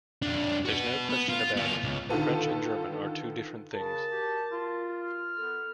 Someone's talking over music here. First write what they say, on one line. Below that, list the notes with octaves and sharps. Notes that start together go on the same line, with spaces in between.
There's no question about it, French and German are two different things.
F2 D4
F#4 B4
B3
F4
B3 F4
C#2
D3 D#3 F4 A4 B4
C#3 F#4 A#4 A5
G4
F4
F6
B3 A4